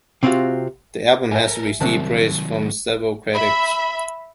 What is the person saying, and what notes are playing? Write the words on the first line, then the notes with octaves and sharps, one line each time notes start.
The album has received praise from several critics.
C3 C4 D4 F4 F#4 F5
A4 A#4 E5 G#5
C2 D#3 F#3 C4 A5
E5 B5